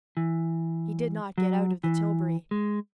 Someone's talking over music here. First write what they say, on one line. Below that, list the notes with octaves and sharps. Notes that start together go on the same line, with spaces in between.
He did not get out of the tilbury.
E3
F#3
E3
G#3